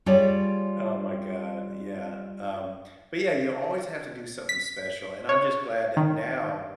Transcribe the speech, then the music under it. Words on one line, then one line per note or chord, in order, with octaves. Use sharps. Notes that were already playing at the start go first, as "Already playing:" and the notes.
Oh my god. Yeah. Um, but, yeah, you always have to do something special. And I'm just glad that now,
G3 F4 G#4 C#5 D5
B6
C#5
D#3